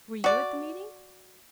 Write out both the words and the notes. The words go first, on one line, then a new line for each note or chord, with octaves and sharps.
"Were you at the meeting?"
F#4 D5